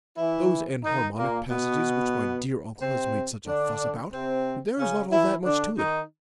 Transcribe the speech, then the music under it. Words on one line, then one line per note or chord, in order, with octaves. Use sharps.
Those enharmonic passages which my dear uncle has made such a fuss about, there's not all that much to it.
E3 E4
D#3 D#4
A#2 A#3
B2 B3
C3 C4
D3 D4
C3 C4
C#3 C#4
E3 E4
D3 D4
D#3 D#4